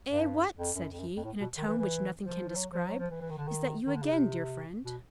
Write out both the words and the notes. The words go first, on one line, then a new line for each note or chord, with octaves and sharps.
"Eh! what!" said he, in a tone which nothing can describe, "is that you again, dear friend?"
G2
F2
F#2
F2
F#2
F2
A2
B2
D#3
E3
E3
F3
F3
F#3
F3
F#3
F3
E3
E3
D#3
D3
D#3
D#3
D3
C#3
C3
B2